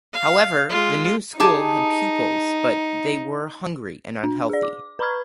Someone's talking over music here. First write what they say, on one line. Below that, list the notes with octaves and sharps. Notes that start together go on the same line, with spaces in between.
However the new school had pupils but they were hungry and unhealthy.
F5
G#3 F4
D#4 G4 G#4 A5
D4
G#4 D5
D6
B4 A#5 B5 C#6 F6 G#6